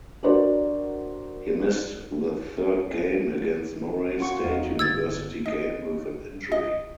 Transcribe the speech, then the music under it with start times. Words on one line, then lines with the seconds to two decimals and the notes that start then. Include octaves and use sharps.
He missed the third game against Murray State University game with an injury.
0.23 D4 F#4 G4 A#4 C5 D5
4.18 F4 F#4 C#6
4.44 E2 D#4 F#4 F5
4.79 G1 E6 G#6 A6
5.46 D#5
6.52 D#5